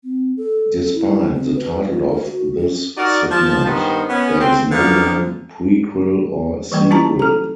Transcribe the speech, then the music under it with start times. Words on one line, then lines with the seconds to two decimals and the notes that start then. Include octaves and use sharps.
Despite the title of this segment, there is no known prequel or sequel.
0.04 C4
0.37 A4
0.94 E4
1.35 C4
1.56 B4
1.91 F4
2.09 A#4
2.25 F#4
2.59 C#4
2.98 D#4 F#4 A#4 D5
3.31 F3 A5
3.66 G2 D#3 B3 C5
4.10 B3 C#4
4.40 C4
4.71 D3 E3 F3 A#3 B3
6.72 E3 G3 A#3 B4
6.91 C#4 E4 F4 G4 A5 A#5
7.19 A4 A#5